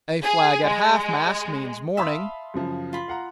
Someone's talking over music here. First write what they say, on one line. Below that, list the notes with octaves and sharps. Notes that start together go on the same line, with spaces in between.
A flag at half-mast means mourning.
G#4
G#3
E5 F5 A5 B5 C6 D#6
F#2 C#3 F3
F4 B5
F5 F#5 A#5